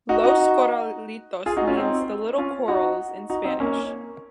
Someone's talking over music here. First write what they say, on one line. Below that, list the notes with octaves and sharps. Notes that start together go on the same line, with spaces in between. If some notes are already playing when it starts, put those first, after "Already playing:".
"Los Corralitos" means "the little corrals" in Spanish.
D#4 F#4
D#4 F#4
F4 G#4
D#4 F#4
C#4 F4
C4 D#4
C#4 F4
D#4 F#4
D#4 F#4
C4 D#4
A#3 C#4